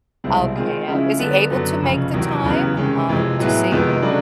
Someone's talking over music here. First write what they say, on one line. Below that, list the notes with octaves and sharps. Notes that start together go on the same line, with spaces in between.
Okay. Uh, is he able to make the time, um, to see?
C2 B2 G#3 C4 E4
D#3 G#3 C4 F4 G#4
C#3 F3 G#3 C#4 E4
D3 F#3 B3
F#2 D3 F#3 B3
F1 F2 C#3
E2 C3 D#3 F#3
E2 C#3 F#3 B3
C3 D#3 G#3 C#4
F2 C3 E3 G#3
A2 F#3 B3 E4 G#4
F2 C3 D#3 G#3 B3
C#3 F#3 A3 D4